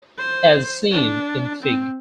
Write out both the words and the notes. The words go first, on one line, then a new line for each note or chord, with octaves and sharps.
As seen in Fig.
C5
D4
C4